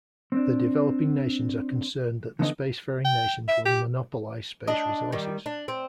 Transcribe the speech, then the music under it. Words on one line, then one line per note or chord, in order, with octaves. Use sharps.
The developing nations are concerned that the spacefaring nations will monopolize space resources.
C4 D4
D3 E3 B3 D#4 G#4 D#5
G5
E5
G4
D4 D#5
D#3 G3
D4
C4